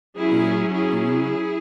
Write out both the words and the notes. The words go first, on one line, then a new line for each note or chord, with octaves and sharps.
and do
F#3 C#4 E4 G#4
E4 G#4